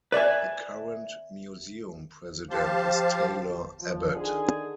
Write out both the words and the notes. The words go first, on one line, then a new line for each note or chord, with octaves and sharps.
The current museum president is Taylor Abbott.
B4 D5 E5 G#5
F3 G4 C5 F5 A5
F3
D3 D#3 G#4